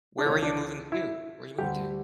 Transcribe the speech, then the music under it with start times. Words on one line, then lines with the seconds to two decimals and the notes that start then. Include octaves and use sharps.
Where are you moving to? Where you moving to?
0.18 D4
0.25 C#2 C#3 E3 C#4
0.42 D4
0.92 E4
1.58 D2 D3 G3 G4